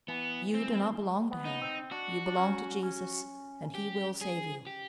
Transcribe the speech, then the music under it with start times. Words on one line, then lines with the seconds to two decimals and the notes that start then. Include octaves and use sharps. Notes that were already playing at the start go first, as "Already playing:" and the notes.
You do not belong to hell. You belong to Jesus and He will save you.
0.08 E3 B3
0.54 C4
1.31 B3
1.45 D#4
1.62 C4
1.91 D4 F#4
2.26 D4
2.37 C#4
2.83 C#4
3.75 G4
4.21 G#4
4.67 G4